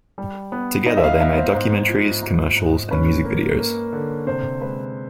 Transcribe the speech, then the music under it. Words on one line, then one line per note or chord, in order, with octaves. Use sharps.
Together they made documentaries, commercials and music videos.
G3
B3
D#4 D#5
E5
F5
B3 E5
C5
G#2 C5
F3
G#2
G#2
C#4 B4
A#3
A#3
D3
C3 C5
G#3 B4